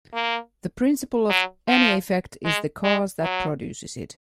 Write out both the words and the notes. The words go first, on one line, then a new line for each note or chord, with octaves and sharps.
The principle of any effect is the cause that produces it.
A#3
F#3
F3
G#3
G#3
F#3